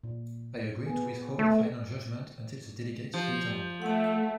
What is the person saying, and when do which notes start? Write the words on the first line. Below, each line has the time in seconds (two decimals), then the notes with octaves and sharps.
I agreed to withhold final judgment until the delegates returned.
0.03 A#2
0.86 B3 G#4
1.39 A3
3.14 F3 G4
3.82 A3 F#5 A5